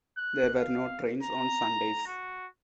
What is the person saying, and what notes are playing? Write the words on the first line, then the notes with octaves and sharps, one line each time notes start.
There were no trains on Sundays.
F#6
F5
A#5
F#4